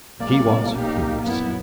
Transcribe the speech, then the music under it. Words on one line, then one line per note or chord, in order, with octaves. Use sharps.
She was furious.
B1 A#2 G#3 A#3 D5
D#4 G4
F#2 A#2 F#3 B3 E4